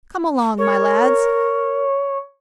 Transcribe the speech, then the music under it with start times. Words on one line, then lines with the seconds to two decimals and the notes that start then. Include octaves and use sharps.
Come along, my lads.
0.58 A#4 C#5